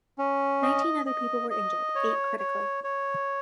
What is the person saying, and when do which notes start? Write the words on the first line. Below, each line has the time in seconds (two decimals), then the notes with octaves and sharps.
Nineteen other people were injured, eight critically.
0.18 C#4
0.63 D#5
1.06 D#5
1.50 D#5
1.95 C#5
2.39 C#5
2.84 C#5